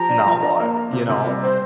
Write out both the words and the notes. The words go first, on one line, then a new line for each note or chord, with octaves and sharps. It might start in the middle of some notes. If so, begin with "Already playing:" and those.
now what, you know
Already playing: F3 G4 A#5
D4
F3
D4
A#3
A#4
C3
C3
G3
C4 C5